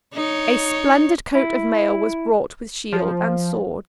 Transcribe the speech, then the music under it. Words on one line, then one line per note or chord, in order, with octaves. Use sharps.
A splendid coat of mail was brought with shield and sword.
D#4 C#5
E4
F3